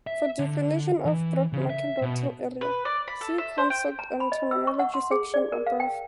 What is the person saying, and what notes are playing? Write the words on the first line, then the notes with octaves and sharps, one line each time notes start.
For definition of Broad Market Rental Area, see Concepts and terminology section above.
E5
D3
E3
C#3
E5
B2
B4
D5
B5
A4
E5
C5
G5
A#5
B5
D#5
E6
C#6
F#5
C6
G#4
D5
A#4
F5
G5